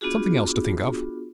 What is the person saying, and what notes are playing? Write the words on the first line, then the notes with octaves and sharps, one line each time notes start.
Something else to think of.
B3 D4 F4 F#4 G#4